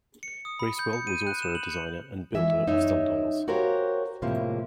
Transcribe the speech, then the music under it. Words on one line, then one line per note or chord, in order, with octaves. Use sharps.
Bracewell was also a designer and builder of sundials.
C#7
D#6
B5
G6
C#7
D#7
F#6
E7
F#7
C#7
E3 G#3 E5
F#2 D#4 C#5 E5
F#4 G4 A#4 C5 C#5 F5
A2 C3 F3 G#3 A#3